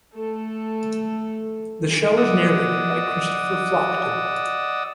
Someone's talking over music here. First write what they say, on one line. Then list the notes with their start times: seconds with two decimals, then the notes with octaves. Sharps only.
The show is narrated by Christopher Flockton.
0.13 A3 A4
2.17 D5 D#5 F#5 D#6 E6